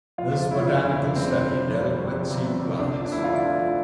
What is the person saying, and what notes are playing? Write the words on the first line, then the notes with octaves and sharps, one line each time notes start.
His botanical study dealt with seed plants.
F2 F4
C3
G3 E4
F4
G1 E4
F2 D4
C3
G3 C4
G1
F2
C3
G3
G1
F2
C3
G3
G1
D3 D4
F3
D4
D2 E4
D2 F4
E4
D3 D4
F3